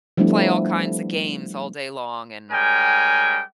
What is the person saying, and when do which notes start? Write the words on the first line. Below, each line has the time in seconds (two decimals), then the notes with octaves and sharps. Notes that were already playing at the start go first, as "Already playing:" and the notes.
play all kinds of games all day long and
0.17 F3 G3 A3 B3 D4 E4
2.51 G3 G#3 C#4 A#4 G5 G#5